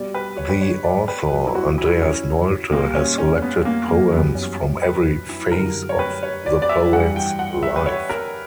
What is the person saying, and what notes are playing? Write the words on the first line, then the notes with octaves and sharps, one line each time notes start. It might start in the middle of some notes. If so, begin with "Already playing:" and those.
The author, Andreas Nolte, has selected poems from every phase of the poet's life.
Already playing: B2 G3 D5
B4
C#5
B4
C#5
D5
B4
G2 F#3
E4
F#4
E4
C#4
A#2 G3 A#3
C#4
C#4
B3
A#3
A#3
F#2 E3 G3 B3
C#4
B4
E4
F#2 D3 G3 A#4
C#5
B4
C#5
D5
D5
E5
G2 E3 G3 F#5
G5
F#5
E5
B4
C#5
A#4